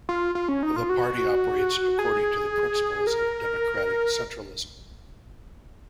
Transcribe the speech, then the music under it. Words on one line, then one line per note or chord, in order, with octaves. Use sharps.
The party operates according to the principles of democratic centralism.
F4
F4
C#4
D#4
F4
F#4
G#4
A#4